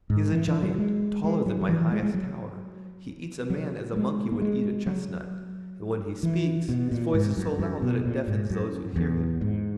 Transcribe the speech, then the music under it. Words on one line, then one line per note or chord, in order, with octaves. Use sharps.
He is a giant, taller than my highest tower, he eats a man as a monkey would eat a chestnut, and when he speaks, his voice is so loud that it deafens those who hear him.
G#2
E3
E3
F#3
G#3
G#3
F#3
F#3
E3
G#3
G#3
F#3
F#3
G#3
A#3
G#3
F#3
E3
B2
A#2
G#2
F#2
F#2
B2
A#2
G#2
F#2
E2
G#2